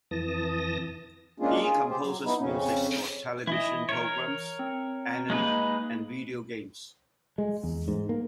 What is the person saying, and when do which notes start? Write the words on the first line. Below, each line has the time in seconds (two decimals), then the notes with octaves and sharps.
He composes music for television programs, anime, and video games.
0.11 F2 E3 A5 D#6 A#6
1.40 G#3 A#3 C#4 D4 F4 G#4
1.61 F4 G#4
1.89 G4 C5
2.02 F#3
2.24 B3 D#4 E4
2.39 F2 C#3 C#4
3.47 E3 E4 D#5
3.89 A#4 C#5
4.59 C4
5.30 G#3 A#3 D#4 B4
7.38 G#3
7.63 E2
7.88 G#2
8.09 A#3